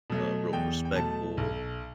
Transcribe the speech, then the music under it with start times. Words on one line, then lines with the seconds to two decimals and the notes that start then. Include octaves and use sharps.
uh, real respectful,
0.10 B2 F#3 A3
0.53 E2 G5
0.85 G5
0.95 B2 F#3 A3 A5
1.37 B1